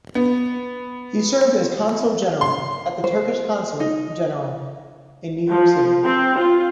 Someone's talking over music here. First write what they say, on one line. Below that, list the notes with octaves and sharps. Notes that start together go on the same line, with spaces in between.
He served as Consul General at the Turkish Consulate General in New York City.
B3
C6
C5
D#4
F3
C4
F4